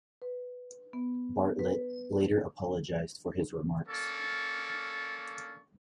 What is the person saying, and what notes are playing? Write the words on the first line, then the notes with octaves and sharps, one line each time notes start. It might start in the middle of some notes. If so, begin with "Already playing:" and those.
Bartlett later apologized for his remarks.
B4
B3
B4
A#3 C#4 A4 D5 C#6